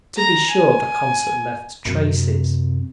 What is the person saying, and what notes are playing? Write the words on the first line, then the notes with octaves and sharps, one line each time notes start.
To be sure, the concert left traces.
A#5
G#5
F#2 C3